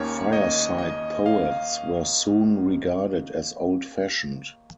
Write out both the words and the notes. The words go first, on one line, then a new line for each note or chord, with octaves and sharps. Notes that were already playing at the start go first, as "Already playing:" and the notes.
Fireside Poets were soon regarded as old-fashioned.
Already playing: D#2 D#3 A#3 C#4 C#5
D#5
D#5
F5